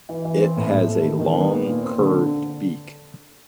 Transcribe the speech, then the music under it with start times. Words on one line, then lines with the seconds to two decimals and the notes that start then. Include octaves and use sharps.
It has a long, curved beak.
0.09 E3
0.25 E3
0.41 C4
0.57 A2
0.73 A2
0.88 A3
1.03 D#3
1.20 D#3
1.35 B3
1.52 A#2
1.66 A#2
1.83 C4
1.98 D3